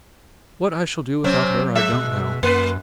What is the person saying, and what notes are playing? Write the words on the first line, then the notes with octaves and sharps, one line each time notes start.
"What I shall do without her I don't know."
C3 F#3 C4 C#4
G#3 E5
B2
F#2 A#3 B4